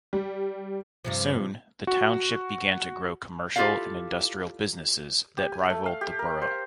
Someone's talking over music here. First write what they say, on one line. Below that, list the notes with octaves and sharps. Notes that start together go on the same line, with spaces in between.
Soon, the Township began to grow commercial and industrial businesses that rivalled the Borough.
G3
G2 C3 F3
F#4
E4 F4 G4 A4 D5 F5
G4
G#5
A3
F5
G4
A#4
C5